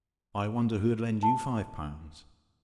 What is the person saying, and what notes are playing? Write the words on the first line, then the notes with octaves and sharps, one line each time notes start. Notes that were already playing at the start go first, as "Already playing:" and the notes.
I wonder who'd lend you five pounds?
A5